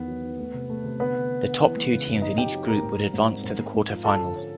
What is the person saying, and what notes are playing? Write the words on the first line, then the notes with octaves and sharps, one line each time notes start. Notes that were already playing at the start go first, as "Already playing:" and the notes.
The top two teams in each group would advance to the quarterfinals.
Already playing: E2 D#3 B3 B4
F#3
D#3
A3
C3
A3
C3
D3 B3 B4
D3
D3
D3
E3
G#3
C#3
F#2
C4 D#4 D#5
F#3 G4 G5
F#3
F#3 A#4 A#5
G#2
G3
G#2
C4
G#2
G#3
G#2
F3
F3 A4 A5
D3
C#4